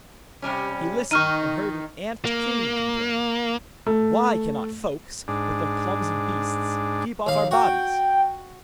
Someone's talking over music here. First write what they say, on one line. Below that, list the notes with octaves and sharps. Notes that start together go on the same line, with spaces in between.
He listened, and heard an ant-king complain: 'Why cannot folks, with their clumsy beasts, keep off our bodies?
C3 G3 C#4
D#3 D#4 C#6 F6 D#7
A#3
A3
G#2 D4
D#2 F5
F#4 G5